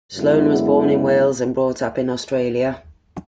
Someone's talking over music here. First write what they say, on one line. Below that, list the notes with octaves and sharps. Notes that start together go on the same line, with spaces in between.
Sloane was born in Wales and brought up in Australia.
F#2 D3 G#3 B3 E4